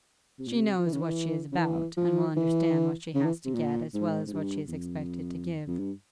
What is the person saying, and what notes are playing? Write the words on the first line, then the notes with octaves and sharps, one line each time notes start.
She knows what she is about, and will understand what she has to get as well as what she is expected to give.
C3
A#2
C3
F3
E3
C#3
E3
C#3
E3
F3
E3
C#3
E3
C3
A#2
G#2
G#2
G2
E2
F2
F2
G2